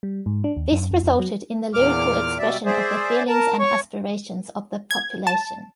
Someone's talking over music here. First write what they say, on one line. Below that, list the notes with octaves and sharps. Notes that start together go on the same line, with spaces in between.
This resulted in the lyrical expression of the feelings and aspirations of the population.
G3
G#2
D4
D#2
F#2
F2
F2
F#3
E2 A#2 D6 F6
B2 G3 D5 E5
G#4 C5 D5 E5
A#4 A5
C#5 C#6
G#6
A5